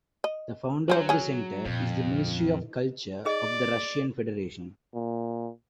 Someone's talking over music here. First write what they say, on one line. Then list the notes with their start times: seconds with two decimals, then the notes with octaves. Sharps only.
The founder of the center is the Ministry of Culture of the Russian Federation.
0.24 D#5
0.90 F#3 C#4 C5
1.09 C#4 G#4
1.65 F2 A#2 D3
3.25 D#4 G#4 D5 D#5
4.94 A#2